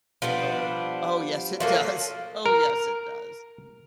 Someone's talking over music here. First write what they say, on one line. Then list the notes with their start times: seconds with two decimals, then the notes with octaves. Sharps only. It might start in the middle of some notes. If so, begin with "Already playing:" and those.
"Oh, oh yes it does. Oh yes, it does."
0.22 F3 G3 B3 D4
1.60 F3 F#3 A#3 A4
2.46 A#4